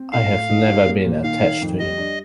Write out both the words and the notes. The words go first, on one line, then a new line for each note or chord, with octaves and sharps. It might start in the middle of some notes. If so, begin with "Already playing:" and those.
I have never been attached to him.
Already playing: C4
A2 F5
A2
D#4
G3
A#3
A#2
D#3 F5
D#3
F2
G3 D#5
D4